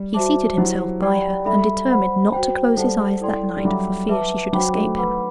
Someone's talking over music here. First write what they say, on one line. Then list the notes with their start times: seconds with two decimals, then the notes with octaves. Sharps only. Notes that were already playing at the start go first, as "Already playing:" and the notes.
He seated himself by her, and determined not to close his eyes that night, for fear she should escape him.
Already playing: G3
0.14 F#4 C5 E5 A5 D6
0.58 F#3 E4 G4 C5
1.02 G4 D5 G5 B5
1.45 G3 A4 E5 B5
1.89 C5 F#5 B5
2.33 F#4 C5 G5
2.77 G3 A4 C5 F#5 A5
3.20 E4 A4 D5 G5 C6
3.57 G3
3.64 F#3 A4 E5 G5 B5 D6
4.09 B4 E5 A5 D6
4.52 F#3 F#4 C5 G5 B5 D6
4.75 A3
4.96 B4 F#5 B5 D6